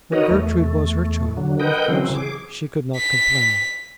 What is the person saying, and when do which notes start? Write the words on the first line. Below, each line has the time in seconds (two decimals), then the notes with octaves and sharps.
But Gertrude was her child, and of course she could not complain.
0.12 D#4 F#4 A#4 B4 C#5 D#5
0.30 E2 A3
1.37 D3 F#3
1.60 A#4 B4 D#5 F#5 G5 G6
1.88 C#3 E3 F#3 C4
2.15 G#4 D6
2.97 B6